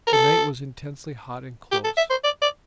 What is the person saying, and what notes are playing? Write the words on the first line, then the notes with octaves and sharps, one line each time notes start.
The night was intensely hot and close.
A#4
A4
G4
A4
E5
C5
D5
D5